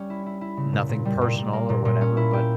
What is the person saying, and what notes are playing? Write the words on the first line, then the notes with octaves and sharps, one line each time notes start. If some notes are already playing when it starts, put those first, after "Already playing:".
"nothing personal or whatever, but
Already playing: G3 C#4
E4
E4
E4
C#3
A#2
A#2
G3
A#2
A#2
A#3
A#2
A#2
C#4
E4
G4